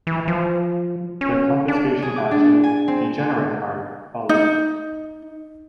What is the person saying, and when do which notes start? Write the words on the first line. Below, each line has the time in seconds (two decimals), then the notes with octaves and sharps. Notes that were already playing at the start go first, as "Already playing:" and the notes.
The confiscation action "Degenerate Art" followed.
0.07 E3
0.28 F3
1.21 C#4
1.68 D4
2.02 G#4
2.16 D6
2.31 D4
2.64 G#5
2.88 C4
4.29 D#4